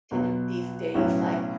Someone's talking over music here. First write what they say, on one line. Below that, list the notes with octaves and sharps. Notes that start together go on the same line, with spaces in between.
to d these days? Like,
B1 B2 F#3
B1 A2 F#3 C#4 E4